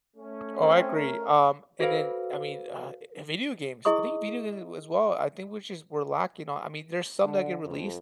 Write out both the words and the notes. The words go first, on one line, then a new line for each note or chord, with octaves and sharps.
Oh, I agree, um, and then, I mean, uh, eh, video games, I think video gaming, as well. I think we're just we're lacking on I mean, there's some that get released,
A3 C#4
C4
A#4
F#4 A4 B4 C5 F5
E4 G#4 D#5 C#6 D#6
D3
F2